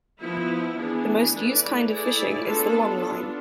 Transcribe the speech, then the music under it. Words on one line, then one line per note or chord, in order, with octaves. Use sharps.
The most used kind of fishing is the longline.
F3 B3 E4
E3 B3 D4 G#4
A3 E4 B4 D5
A3 E4 G#4 D5
B3 D4 F4 A4
B3 D4 F4